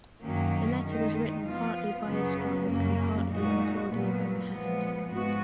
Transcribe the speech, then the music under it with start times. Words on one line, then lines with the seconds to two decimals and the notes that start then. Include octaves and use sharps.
The letter was written partly by a scribe and partly in Claudia's own hand.
0.22 F#2 D#3 F#3 A#3 C#4
0.83 D#3 G#3 D#4
1.43 F3 B3 F4
2.05 F#2 C#3 F#3 B3
2.65 F#2 C#3 F#3 A#3
3.27 A#2 G#3 D#4 F#4
3.87 A#2 F#3 B3
4.49 A#2 F3 G#3 B3
5.10 G#2 F3 G#3 B3 F#4